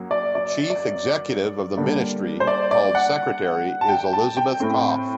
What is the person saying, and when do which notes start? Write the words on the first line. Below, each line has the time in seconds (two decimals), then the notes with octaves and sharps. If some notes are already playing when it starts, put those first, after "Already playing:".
The chief executive of the ministry, called Secretary, is Elizabeth Koff.
Already playing: F#2 F#3 A#3
0.11 D5
0.35 D5
0.70 D5
1.77 D3 G3 A#3
2.40 C5
2.47 D5
2.71 D5
2.95 F#5
3.81 A5
3.89 G5
4.13 A5
4.37 G5
4.60 A2 A3 C4